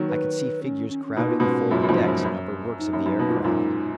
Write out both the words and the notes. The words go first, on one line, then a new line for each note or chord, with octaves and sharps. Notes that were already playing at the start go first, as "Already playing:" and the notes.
I could see figures crowding the forward decks and upper works of the air craft.
Already playing: D#3 F#3
B4
C#4
C#4
C#4
B2 D#4
A#2
G#2 B2 C#4
F#2 A#2
F#2
F2 G#2
G#2
F#2
F#2
D#4
F#2
F#2
B2
A#2
G#2
F#2 A#2